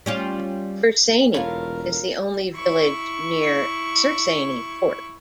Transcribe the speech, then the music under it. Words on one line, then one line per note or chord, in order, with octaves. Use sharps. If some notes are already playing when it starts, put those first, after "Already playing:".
Bersaini is the only village near Sersaini Fort.
G3 C#4 F4
E1 A2 F4 A#4 C#5 F5
E4 C#6